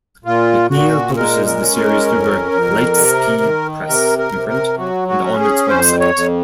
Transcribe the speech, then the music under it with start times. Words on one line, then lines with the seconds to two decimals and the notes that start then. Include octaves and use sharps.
McNeil publishes the series through her "Lightspeed Press" imprint and on its website.
0.25 A#2 F4
0.70 A#2 F#4
1.16 G#3 A#4
1.46 A#4
1.61 C#4
1.77 A#4
2.06 F2
2.52 F2
2.97 C3
3.42 D#3
3.87 C3 A#4
4.18 A#4
4.33 C3
4.48 A#4
4.78 F#3 F#4
5.08 F#4
5.23 C#4
5.39 G#4
5.69 F2 C5
6.00 C#5
6.14 F2